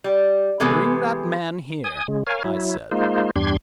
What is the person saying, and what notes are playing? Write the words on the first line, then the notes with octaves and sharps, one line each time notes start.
"Bring that man here," I said.
G3
C3 E3 G#3 B3 A4
G#5 D#6
C#3 G#3
A#4 C#5 F5 G#5
F#3 E4
G#3 A#3 D#4 F4 C5
E2 G2 D4 G4 C6 G#6